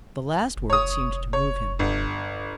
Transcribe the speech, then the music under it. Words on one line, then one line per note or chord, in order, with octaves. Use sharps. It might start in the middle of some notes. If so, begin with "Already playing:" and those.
The last word seemed to move him.
F#1
F1 C#5 D#6
C#5
G1